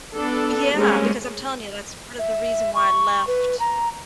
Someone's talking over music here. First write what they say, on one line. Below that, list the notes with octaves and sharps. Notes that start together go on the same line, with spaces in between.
Yeah, because I'm telling you, that's part of the reason why I left
B3 D4 A4
G3 G#3 A#3 C4 C#4
E5
C#6
B4
A#5